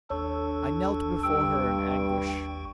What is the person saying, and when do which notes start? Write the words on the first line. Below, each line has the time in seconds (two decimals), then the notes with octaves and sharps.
I knelt before her in anguish.
0.10 G#1 D#2 D4 A4 C#5 C#6
1.23 G2 G5 E6